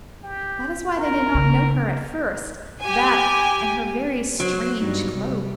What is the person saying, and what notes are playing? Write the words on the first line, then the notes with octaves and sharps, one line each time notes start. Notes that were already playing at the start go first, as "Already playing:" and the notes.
That is why they did not know her at first, that and her very strange clothes.
G4
A#4
C#3
G4 G#5
F#3 C5
G2 G3 D#4
C3 G3